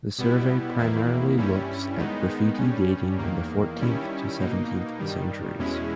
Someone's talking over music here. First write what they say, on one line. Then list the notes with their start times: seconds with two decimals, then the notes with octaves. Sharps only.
The survey primarily looks at graffiti dating from the fourteenth to seventeenth centuries.
0.18 B2 G3 B3 E4
0.77 E2 D#3 A#3 E4
1.38 G2 G3 C#4 E4
1.98 D#3 G#3 B3 D#4
2.58 G2 G3 C#4
3.18 E2 D#3 A#3
3.78 D#3 G3 C#4 E4
4.38 B2 A#3 D#4
4.99 G2 D#3 G3
5.58 E2 B2 G#3 C#4 E4